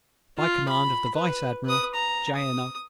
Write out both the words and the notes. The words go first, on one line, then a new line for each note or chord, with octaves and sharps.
By Command of the Vice Admiral. JNO.
F4
B5
B4
B4 D#6
A#5
D#6